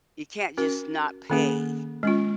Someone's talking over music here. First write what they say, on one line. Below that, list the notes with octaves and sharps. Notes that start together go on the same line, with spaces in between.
You can't just not pay,
C#4 F#4 A#4
D#3 A#3 C#4 G#4
G#3 C#4 F4